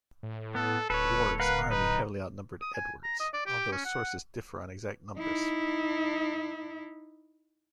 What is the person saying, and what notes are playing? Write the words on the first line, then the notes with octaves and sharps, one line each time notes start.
Warwick's army heavily outnumbered Edward's, although sources differ on exact numbers.
A2
B3 A4
D1 A4 B4 C#5
A#4 B4 F5 F#5
D#4 B4
D#6
G#5
A#5
D#5
D5
G4
C#4
F#5
D#4 E4